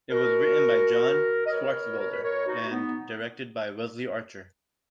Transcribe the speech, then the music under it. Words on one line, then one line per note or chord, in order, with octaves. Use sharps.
It was written by John Swartzwelder and directed by Wesley Archer.
B2 F#4 A#4
D#5
B2 A#4 C#5
A#4
B4
A#4 C#5
D#4 F#4
B3 D#4